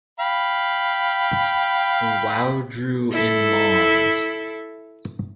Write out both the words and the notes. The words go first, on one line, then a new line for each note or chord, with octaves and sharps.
Waudru in Mons.
F5 G5 B5
E4 A4